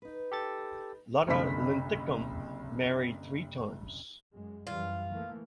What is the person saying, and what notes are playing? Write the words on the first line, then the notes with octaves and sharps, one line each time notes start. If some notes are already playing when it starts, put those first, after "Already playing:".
Lotta Linthicum married three times.
D#4 B4
G4 A4 A6
F#1 C2 D3 B5 B6
F#2 G#3
F#2 E3 G3 F4
E3 A3 A#3